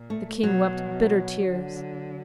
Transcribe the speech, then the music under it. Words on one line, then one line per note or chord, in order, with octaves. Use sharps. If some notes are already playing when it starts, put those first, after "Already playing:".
The King wept bitter tears.
Already playing: A#2
A3
B2 F#3
D3